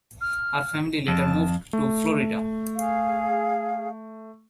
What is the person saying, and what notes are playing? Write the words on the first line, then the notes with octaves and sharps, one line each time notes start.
Her family later moved to Florida.
F6
F2 A5
A3
G#4 F5